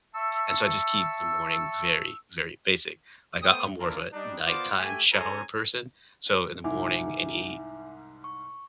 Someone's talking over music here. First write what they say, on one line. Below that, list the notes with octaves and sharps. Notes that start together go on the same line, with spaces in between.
And so, I just keep the morning very, very basic, like I I'm more of a nighttime shower person, so in the morning, any
E5 A5 C#6 E6
A3 B3 C5 G5 D#6
A#3 D4 E4 F4 A4 A#4
G3 D4 D#4
B3 F4 A#4 C5 D5 D6
A3 G4 E5 G#5
C#4 G#4 A4 C5 G#5 A#5
C2 G#2 E5 G#5 D6
C#6